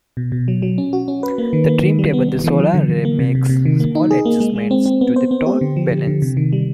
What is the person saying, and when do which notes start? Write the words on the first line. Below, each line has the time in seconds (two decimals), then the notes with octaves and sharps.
The trim tab on the solar array makes small adjustments to the torque balance.
0.17 B2
0.32 B2
0.48 F#3
0.62 F#3
0.78 C#4
0.93 F#4
1.08 C#4
1.23 B4
1.38 A#3
1.53 D#3
1.68 A#3
1.83 D#3
1.99 G3
2.13 B3
2.29 B3
2.44 E3
2.59 F#3
2.74 D3
2.89 D3
3.05 A#3
3.19 C3
3.35 C3
3.49 C3
3.65 D#3
3.80 A#3
3.95 D#4
4.11 G#4
4.25 A#3
4.40 G#3
4.56 G#3
4.71 C4
4.86 C4
5.01 B3
5.16 C5
5.31 B3
5.46 G4
5.61 D3
5.76 F3
5.91 D3
6.07 D3
6.22 C3
6.37 D#3
6.53 G3